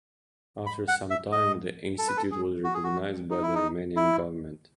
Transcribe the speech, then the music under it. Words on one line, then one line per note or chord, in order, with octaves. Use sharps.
After some time the institute was recognized by the Romanian government.
B5
F#5
E5
D#5
A4
B4
A4
G#4
F#4
G#4
F#4
D#4
E4
D#4
E4